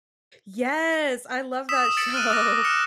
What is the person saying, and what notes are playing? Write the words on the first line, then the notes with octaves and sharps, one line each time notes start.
Yes! I love that show.
D#6 E6 B6 E7
E6 A6 B6 C#7 D7 F#7
F6 F#6 D#7
D6 E6 A#6
F6 F#6 C#7 E7